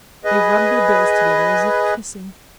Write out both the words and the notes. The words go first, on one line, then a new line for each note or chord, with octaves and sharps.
They rubbed their bills together as if kissing.
G#4 B4 D#5